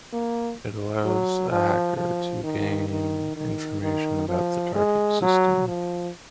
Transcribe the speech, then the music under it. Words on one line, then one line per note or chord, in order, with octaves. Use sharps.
It allows a hacker to gain information about the target system.
A#3
F#3
F3
F3
D#3
D#3
D#3
D#3
F3
G#3
F#3
F3